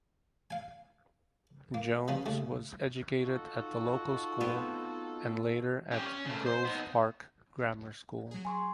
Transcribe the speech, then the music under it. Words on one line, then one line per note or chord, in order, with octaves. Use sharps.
Jones was educated at the local school and later at Grove Park Grammar School.
F5 G#5
A#3
C#3 F3 F#3 B3 C#4
D#2 C#3 A3
D#4 F4 F#4 A4
B3 C4
C#4 G4
C#4
C#3 A3
C5
B3 D#4
F#3 G#4
G#5 C6 C#6